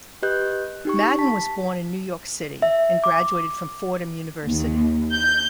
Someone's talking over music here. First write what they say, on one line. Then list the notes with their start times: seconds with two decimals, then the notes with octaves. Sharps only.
Madden was born in New York City and graduated from Fordham University.
0.23 G4 B4 D#5 F#6 G6
0.85 D#4 G4 C#6
1.19 A5 B6
2.62 E5
3.04 D6
4.47 D#2
5.14 G6